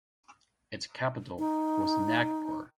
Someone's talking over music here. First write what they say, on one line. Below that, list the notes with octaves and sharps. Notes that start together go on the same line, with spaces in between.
Its capital was Nagpur.
D#4